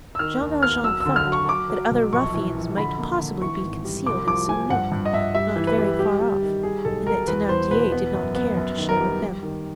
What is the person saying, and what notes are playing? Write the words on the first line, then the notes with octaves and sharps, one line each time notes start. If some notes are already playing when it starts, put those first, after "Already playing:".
Jean Valjean thought that other ruffians might possibly be concealed in some nook, not very far off, and that Thenardier did not care to share with them.
E6
D#3 F6
D#2
B3 F6
F#3 E6
E6
D3
F6
F#3
C#6
F#3 D6
F#3
B1
A#1 C#6
E3
A#1
D3 B5
A#3
D3
E3 C#6
G#1
G3
C2 D6
F3 D6
F3 G#5
G2 F#5
G2
D#5
G2 E5
G3 E5
E3
B4
G3
G3 G4
G3
D#3
G3 G#4
B1 A4
B2 A#4
E2 B4
E2 C5
B2 B4
B3
F#2
B3
F#2
D#3
A#4
G3
G3
D#3